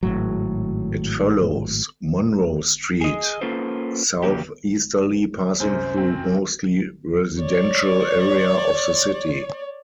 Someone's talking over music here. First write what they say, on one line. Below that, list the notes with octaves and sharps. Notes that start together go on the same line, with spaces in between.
It follows Monroe Street southeasterly passing through mostly residential area of the city.
G#1 A2 F#3
G#4 D#5
A#3 C#4 F4 A4 B4 C5
C#3 E3 A#3 F#4 G4
C2 F#2 C5
C4
C#5 D5